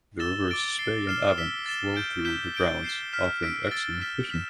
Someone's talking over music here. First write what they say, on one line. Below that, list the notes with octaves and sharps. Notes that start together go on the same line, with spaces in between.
The rivers Spey and Avon flow through the grounds, offering excellent fishing.
E6 A6 E7 G7
D6 A6 D7 G7
A6 C7 G7
F6 C7 E7 G7
E6 B6 E7 G7
A6 E7 G7
G6 D7 G7
G6 B6 E7 G7
G6 D7 G7
G6 C7 E7 G7
F6 B6 E7
E6 B6 D7
E6 A6 D7 G7
F6 B6 E7 G7
F6 B6 E7